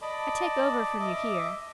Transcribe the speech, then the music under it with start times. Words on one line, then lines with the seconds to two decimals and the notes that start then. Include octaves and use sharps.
'I take over from you here.
0.02 D5 D#5 A5 B5 D6
1.00 D#5 E5 D6